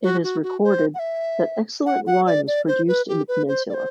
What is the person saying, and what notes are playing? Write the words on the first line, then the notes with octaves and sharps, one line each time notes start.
It is recorded that excellent wine was produced in the peninsula.
F#4
F#4
F#4
C5
F#5
E5
F#5
F#5
D5
D5
C5
B4
G4
B4
C5
D5
C5